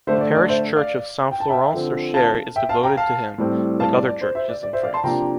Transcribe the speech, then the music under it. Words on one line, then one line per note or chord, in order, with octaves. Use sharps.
The parish church of Saint-Florent-sur-Cher is devoted to him, like other churches in France.
D3 A3 D4 C5 E5
D5
D5
C5 E5
D5 F5
G5
A5
E5 G5
D3 F3 C4
F5 A5
E5 G5
F5 A5
G5 A#5
F5 A5
A2 G3 C4
F5 A5
D5
D5
C5
C5 E5
D5
D5
C5 E5
D5 F5
A5 C6
C3 F3 A#3 D4 G5 A#5